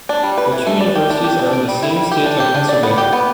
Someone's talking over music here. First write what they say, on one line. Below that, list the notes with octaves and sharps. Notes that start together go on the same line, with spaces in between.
The two universities are in the same state of Pennsylvania.
D4
G3
B4
E3
A3
D5
G4
D4
G4
D4
D5
G3
E4
G3
G4
D4
G4
D4
D5
B3
G4
B3